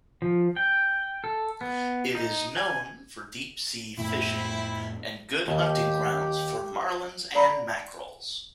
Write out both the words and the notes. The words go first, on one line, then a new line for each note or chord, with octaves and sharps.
It is known for deep-sea fishing and good hunting grounds for marlins and mackerels.
F3
G5
A4
B3
D#4
G#5
F2 A2 A3 C4 E4
D#2 G4
D5 A#5 B5